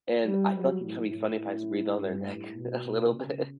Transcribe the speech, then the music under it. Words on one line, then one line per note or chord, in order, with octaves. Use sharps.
and I thought, like, it can be funny if I breathe on their neck a little bit,
G3
F#3
A2
A2
G2
A2
B2
B2
C#3